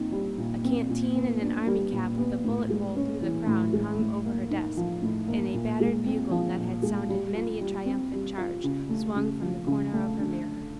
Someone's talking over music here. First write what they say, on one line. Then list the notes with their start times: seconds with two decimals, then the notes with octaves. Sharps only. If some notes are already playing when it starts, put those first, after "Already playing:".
A canteen and an army cap with a bullet-hole through the crown, hung over her desk, and a battered bugle, that had sounded many a triumphant charge, swung from the corner of her mirror.
Already playing: A#2 C4 D#4
0.12 G3
0.38 A#2
0.64 C4
0.89 A#2
1.16 B3
1.41 D4
1.67 G3
1.92 A#2
2.18 B3
2.45 A2
2.69 G#3
2.96 C#4
3.22 E3
3.47 A2
3.73 G#3
3.99 A2
4.25 A#3
4.51 D#4
4.77 F3
5.02 A2
5.28 A#3
5.54 A#2
5.80 G#3
6.06 C4
6.31 F3
6.57 A#2
6.82 G#3
7.09 G3
7.35 F4
7.61 G3
7.86 C4
8.12 G3
8.38 F4
8.64 C#3
8.89 A3
9.16 C#3
9.41 F3
9.67 C#3
9.93 A3
10.18 D3